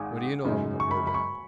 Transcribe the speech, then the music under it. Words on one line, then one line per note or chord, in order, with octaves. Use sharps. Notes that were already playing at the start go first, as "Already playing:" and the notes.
"What do you know about Rodin?"
Already playing: G#1 G#2 D#3 G#3 F5 F#5 G#5
F#2 C#3 G#3 D#4 F#4
C#6
B5
B5
C#6